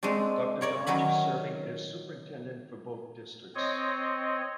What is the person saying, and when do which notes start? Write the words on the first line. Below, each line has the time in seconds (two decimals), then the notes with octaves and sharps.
Doctor Dodge is serving as superintendent for both districts.
0.03 G#3 A3 C4 D4
0.61 A#4 C#5 D5
0.87 D#3 F#3 C#4 B5
3.55 C4 C#5 D#5